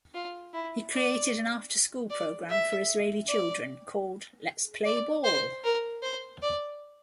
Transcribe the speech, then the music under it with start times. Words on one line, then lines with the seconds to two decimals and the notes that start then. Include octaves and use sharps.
He created an after-school program for Israeli children, called Let's Play Ball!
0.14 F4
0.54 E4
0.93 D5
2.10 D5
2.50 E5
3.28 D5
4.85 D5
5.24 C5
5.64 A#4
6.03 C5
6.42 D5